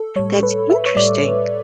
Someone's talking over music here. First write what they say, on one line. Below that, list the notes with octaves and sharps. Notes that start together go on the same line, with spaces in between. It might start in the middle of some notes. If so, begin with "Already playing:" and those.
That's interesting.
Already playing: A4
A2 G3 C#5
B4
E5
C#5
A2 G3 D5